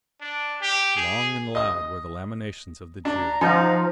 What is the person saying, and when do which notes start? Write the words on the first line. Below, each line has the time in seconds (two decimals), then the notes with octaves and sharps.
Long and loud were the lamentations of the Jew.
0.21 D4
0.62 G4
0.97 G#4
1.55 D#5 D#6
3.05 D4 A#5
3.41 F3 D#4 F#5